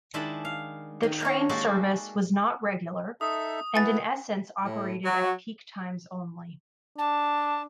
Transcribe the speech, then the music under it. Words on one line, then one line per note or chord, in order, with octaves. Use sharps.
The train service was not regular and in essence operated at peak times only.
D#3 G#3 D4 E4 A5 B5
F5
D#3
A#3 A#4 C#5
G#3 A#3 F#4 G4 A4 D5
D#4 A4 E5 D#6
B3 E4 B4 G#5 A6
A2
F#3
D4 A5